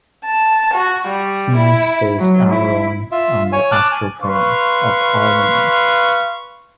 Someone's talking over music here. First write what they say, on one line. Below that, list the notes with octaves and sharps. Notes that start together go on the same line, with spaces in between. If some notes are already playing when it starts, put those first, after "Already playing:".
Smith based Averoigne on the actual province of Auvergne.
A5
F#4
G3
E4
F#3
E4
F4 E5
C#5 G#5
A5 D6 F6 F#6
G#5
B4 F5 C6 C#6